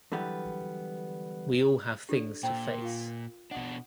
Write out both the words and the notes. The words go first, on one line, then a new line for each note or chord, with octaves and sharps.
We all have things to face.
D3 E3 F#3 G3 B3
D4 G4 A4 D5
A#2 C5 G5 A#5 E6
A#4 C6
F4 F5
B2 D4 D#5 F#5 D#6